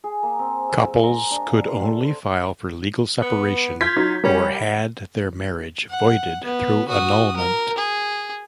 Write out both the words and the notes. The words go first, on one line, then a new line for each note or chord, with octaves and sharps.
Couples could only file for legal separation or had their marriage voided through annulment.
G#4
A#3
C4
E6
G#3
A#5
D4
F5
C6
A4
C5
B3
F4 G6 G#6 B6
F#3 D#4
G3 C#4 A#4
F#5
B3
F#4 D#6
A#4
G#4